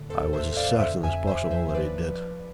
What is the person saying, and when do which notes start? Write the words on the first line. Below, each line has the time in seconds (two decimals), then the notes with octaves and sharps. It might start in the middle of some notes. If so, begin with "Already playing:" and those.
I was as certain as possible that he did.
Already playing: A2 D3
0.10 E2 A4 C5
0.33 E2 C5 E5
0.56 D3 D5 F5
0.80 F2 C5 E5
1.04 F2 E5 G#5
1.27 F2 C5 E5
1.51 F3 C5 E5
1.69 C5
1.74 F3 B4 D5
1.98 F3
2.22 F3